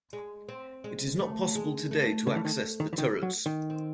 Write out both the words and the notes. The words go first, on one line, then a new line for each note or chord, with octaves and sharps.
It is not possible today to access the turrets.
G#3
C4
G#3
A3
G#3
A3
C#3 A3
E3
D#3
D#3
E3
D#3
F#3
D#3
C4